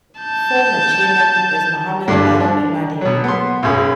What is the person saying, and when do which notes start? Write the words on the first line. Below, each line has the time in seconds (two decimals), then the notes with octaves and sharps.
Former Chairman is Mohammed Al Emadi.
0.21 A5 G6
2.08 G2 D3 D4
2.40 D4
3.01 B2 F#3
3.24 B3 C6
3.63 B1 F#2 G#4